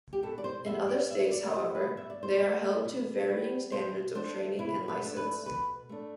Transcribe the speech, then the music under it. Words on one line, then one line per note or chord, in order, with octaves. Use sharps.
In other states, however, they are held to varying standards of training and license.
G4
B2 A4
D5
C5
G3 B3 E5
D5
B2 E5
D5
G3 B3 C5
B4
B2 E5
D5
C5
D5
G3 B3
B2
G3 B3
B2 C5
A3 D4 C5
B2 E4
B4
A3 D4
B4
B2 B4
A3 D4